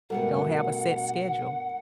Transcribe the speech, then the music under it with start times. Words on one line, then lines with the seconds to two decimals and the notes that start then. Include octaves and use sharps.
Don't have a set schedule.
0.10 G2 B2 A3 A#4 F#5